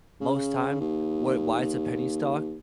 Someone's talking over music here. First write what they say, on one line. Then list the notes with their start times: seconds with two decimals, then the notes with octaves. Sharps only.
Most time, wa why it's a penny stock,
0.21 C#3
0.80 D#2